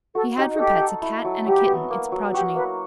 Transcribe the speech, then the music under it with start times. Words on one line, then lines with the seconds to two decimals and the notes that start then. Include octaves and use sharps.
He had for pets a Cat and a kitten, its progeny.
0.15 F#4 A4
0.37 D#4 G4
0.55 G#4
0.59 G4 A4
0.81 A4
1.02 E4
1.25 F#3
1.46 F#3 G4
1.68 B3
1.90 A#3
2.12 F#3
2.34 F#4 G4
2.55 A#3 B4